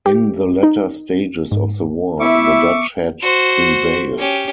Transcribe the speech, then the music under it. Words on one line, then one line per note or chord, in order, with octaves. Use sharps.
In the latter stages of the war, the Dutch had prevailed.
G4
D#4
G#2
B3 E4 E5 C#6 D6
F#4 C5
C#4 G4